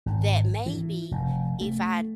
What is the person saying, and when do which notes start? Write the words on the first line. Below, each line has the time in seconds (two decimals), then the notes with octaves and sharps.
that maybe if I
0.06 G#1
0.66 E3
1.11 F1
1.61 A3